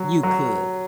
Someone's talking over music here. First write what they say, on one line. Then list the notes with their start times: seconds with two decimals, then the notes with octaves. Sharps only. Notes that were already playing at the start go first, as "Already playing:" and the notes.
You could.
Already playing: F#3
0.23 F#3